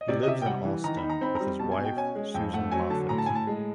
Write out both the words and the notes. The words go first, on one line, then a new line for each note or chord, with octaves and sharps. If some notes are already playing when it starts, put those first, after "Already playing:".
He lives in Austin with his wife Susan Moffat.
D#5
C3 D5
D#5
C3 E5
G5
G3 F#5
E3
D#3 A#5
B5
D#4
A#5
C4 B5
A#5
G3
B2 A5
G#5
B2
G5
C#4 G#5
G#3
F2 G5
A3 F#5
F#3 G#5
D3 A5
A2 A#5
A5
A2 G#5
A5
G#3